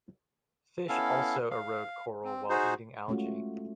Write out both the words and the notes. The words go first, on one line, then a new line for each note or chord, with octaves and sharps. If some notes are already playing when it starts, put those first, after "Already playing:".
Fish also erode coral while eating algae.
B3 C#4 E4 A4 F5
F5
C4
D#4 F#4 G#4 C5
G#3 A3 C#4 F4 F#4